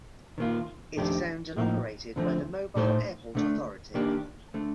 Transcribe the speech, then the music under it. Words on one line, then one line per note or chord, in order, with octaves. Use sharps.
It is owned and operated by the Mobile Airport Authority.
D#3 A#3 F4
F2 D#3 A3 D4 G4
A2 F3 A#3 D#4
D2 D3 F3 A3 C4
A2 A3 D#4 A4 C5
D3 A3 D4
D#3 A#3 D4 G4
D3 A3